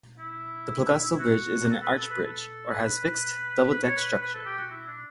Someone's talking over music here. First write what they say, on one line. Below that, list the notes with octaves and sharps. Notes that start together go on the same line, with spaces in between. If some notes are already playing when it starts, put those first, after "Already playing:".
The Plougastel Bridge is an arch bridge, or has a fixed, double deck structure.
E4
F#4
A4
B4
A4
B4
A4
B4
B4
C#5
B4
B4
A4
G4
F#4
E4
D4